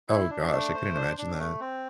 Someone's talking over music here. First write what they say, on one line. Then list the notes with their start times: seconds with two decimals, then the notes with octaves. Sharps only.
Oh gosh, I couldn't imagine that.
0.09 E4
0.30 D4
0.52 A3
0.74 C5
0.95 D4
1.18 D4
1.39 A3
1.60 C4